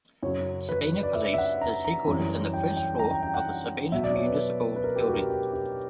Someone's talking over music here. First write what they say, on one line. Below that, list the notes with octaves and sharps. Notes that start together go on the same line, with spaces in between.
Sabina Police is headquartered in the first floor of the Sabina Municipal Building.
F#2 C#3 F#3 C#5
B4
B4
B4
D5
E5
E5
F#5
A#5
A#5
F#2 E3 G3
G5
G5
A#5
G5
G5
F#5
B2 F#3 E5
D5
C#5
B4
B4
A#4
G4
F#4
A#4
G4
G4
G4